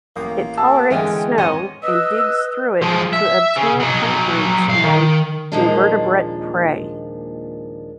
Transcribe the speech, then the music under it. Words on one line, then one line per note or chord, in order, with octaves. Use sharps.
It tolerates snow and digs through it to obtain plant roots and invertebrate prey.
A1 A#3
G4 A5 E6
D3 E3 G#3 B3 C#4 G5
F2 F3 B3 C#5 D#5
B4 D#5 E6
F3 G#3
E5
C#3
F#3 D#4
B1 F5
D#3
D#2 A#2 F3 G#3 A#3 D4